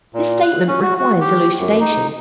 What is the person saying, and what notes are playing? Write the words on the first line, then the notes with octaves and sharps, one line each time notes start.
This statement requires elucidation.
A#2
F#6
C#4
F#4
F#4
G4
F#2
D#4